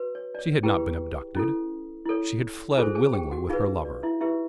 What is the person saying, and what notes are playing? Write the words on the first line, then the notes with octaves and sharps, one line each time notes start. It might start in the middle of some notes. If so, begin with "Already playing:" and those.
She had not been abducted--she had fled willingly with her lover.
Already playing: F#4 B4
C#5
D5
C#5
E4 G4 G#4 B4 G5
C#4 E4 A4
E4 A4 C#5
F4 G#4 A4 C5 G#5
G#4 G#5
G4 G5
F#4 F#5
D#4 F4 G#4 B4 F5
D5
E4 E5
E4 G4 B4 E5